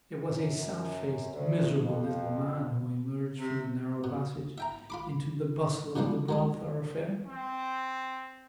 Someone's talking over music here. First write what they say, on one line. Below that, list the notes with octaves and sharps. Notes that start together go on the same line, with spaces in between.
It was a sad-faced, miserable little man who emerged from the narrow passage into the bustle of the broad thoroughfare.
F#2
D2
F2
C3
B2
E5 G5 A#5
F4 B5 D6
B2 D#3 F3 G3 G#3 D4
F#3 G#3 D#5
C4